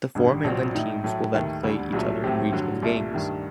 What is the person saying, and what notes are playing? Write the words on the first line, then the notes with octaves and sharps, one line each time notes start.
The four mainland teams will then play each other in regional games.
A1 G2 D3
A#1 A#2 F#3 C4 F#4
A2 A3 D#4
A2 F#3 A3
D#2 D#3 A3
D2 D3 G3
C2 A#2 F#3 A3
A2 F#3 A3 C4 G4
G2 D3 F#3
C2 A#2 A3
G2 D#3 A3